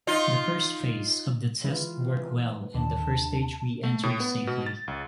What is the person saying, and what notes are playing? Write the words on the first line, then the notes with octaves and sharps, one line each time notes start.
The first phase of the test worked well and the first stage re-entered safely.
D#4 F4
E3 G#3 F4 B4
D#2 D3 A5
A3
A2
B3
B2
A6
C#2